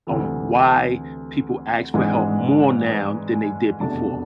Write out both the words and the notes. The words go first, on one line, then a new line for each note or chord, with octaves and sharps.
on why people ask for help more now than they did before?
D2 C3 E3 A4
G#1 G#2 E3 G#3 D4
B4
G#5
F1 E2 B2 A3 D4 A5